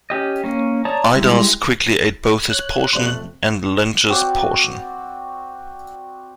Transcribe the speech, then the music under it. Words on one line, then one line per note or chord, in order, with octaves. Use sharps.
Idas quickly ate both his portion and Lynceus' portion.
C#4 G4 D#5
A#3 C#4
C#5 D5 A5 A#5 D#6
G3 G#3 E4
C#5 F#6
F2 C3 A3 C5 D5 C6
C4 F#4 C5 D5